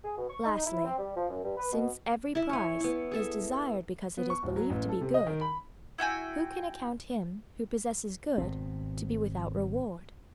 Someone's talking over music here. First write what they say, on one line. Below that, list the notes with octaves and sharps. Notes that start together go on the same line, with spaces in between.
Lastly, since every prize is desired because it is believed to be good, who can account him who possesses good to be without reward?
G#4
B2
C#6
D#4
E4
C4
G3
F3
F#2
G2
B4
B2
E4 E5
C#5 G#5
B3 E4
G#4 A4 E5
B3
C#6
D1
F#3
A1
A4
C3
D#5
D#3
B5
E4 F#4 G5 G#5
G#1 B2 C4